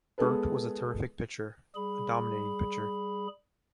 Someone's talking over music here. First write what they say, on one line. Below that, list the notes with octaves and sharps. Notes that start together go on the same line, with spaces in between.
Bert was a terrific pitcher - a dominating pitcher.
G#3 B3 G#4 A4 B4
G3 G#4 B5